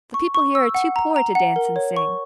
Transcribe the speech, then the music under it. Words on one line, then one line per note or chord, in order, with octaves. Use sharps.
The people here are too poor to dance and sing.'
C#6
C#6
E6
F#5
A#5
A#5
F#5
A#4
C#5
C#6